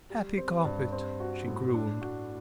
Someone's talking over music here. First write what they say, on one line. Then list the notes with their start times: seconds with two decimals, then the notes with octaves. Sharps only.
"Happy carpet!" she crooned.
0.10 G3
0.37 C4
0.65 G2
0.92 C4
1.20 F#4
1.48 A2
1.74 D4
2.01 F#4